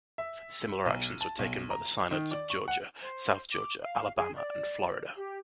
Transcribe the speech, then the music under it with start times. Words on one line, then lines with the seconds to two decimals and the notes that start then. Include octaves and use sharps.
Similar actions were taken by the synods of Georgia, South Georgia, Alabama, and Florida.
0.18 E5
0.86 B1
1.21 A5
1.39 B1
1.70 A#5
2.11 D#3
2.31 D5
2.50 C#6
2.68 F#5
3.01 C5
3.53 D6
3.82 F5
4.16 G#4
4.36 D5
5.17 G4